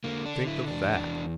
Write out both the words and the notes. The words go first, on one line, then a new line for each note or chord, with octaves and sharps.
Think of that!
D3 A#3
D4
D3
E4
E2 D4
E2